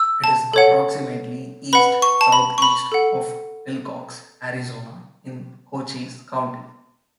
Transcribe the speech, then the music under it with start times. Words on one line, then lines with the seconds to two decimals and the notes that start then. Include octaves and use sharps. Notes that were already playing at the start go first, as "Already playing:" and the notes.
It is approximately east-southeast of Willcox, Arizona, in Cochise County.
Already playing: E6
0.24 A5
0.53 A4 C#5 F#5
1.73 B4 F#5 B5
2.02 C#6
2.21 A5
2.32 B5
2.58 C#6
2.62 B5
2.92 A4 F#5